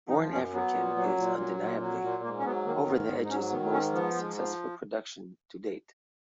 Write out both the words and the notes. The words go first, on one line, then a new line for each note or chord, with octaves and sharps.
"Born African" is, undeniably, Over the Edge's most successful production to date.
F3 D#4
F#2 C#4
F#3 B3
A#2
F#3
A#2
F#3
A#2
F#3
A#2
G#2 A#3
C#4
F#3 B3
D#3 A#3
G#2 B3
G#2 B3
D#4
F#3 C#4
D#3 B3
G#2 C#4
F3 B3
G#2
F3